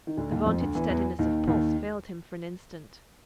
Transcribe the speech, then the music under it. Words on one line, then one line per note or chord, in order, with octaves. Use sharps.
The vaunted steadiness of pulse failed him for an instant.
D#3
D2 D3
D#2 D#3
F2 F3
D2 D3
E2 E3
E2 E3
D#2 D#3
D#2 D#3